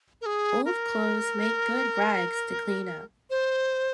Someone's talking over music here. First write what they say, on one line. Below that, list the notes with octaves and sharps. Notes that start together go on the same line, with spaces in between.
Old clothes make good rags to clean-up.
A#4
G#4
A#4
C5